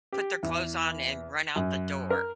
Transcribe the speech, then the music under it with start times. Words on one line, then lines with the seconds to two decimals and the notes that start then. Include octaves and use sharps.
put their clothes on, and run out the door,
0.12 G4
0.43 E2
1.56 F#2
2.10 A#4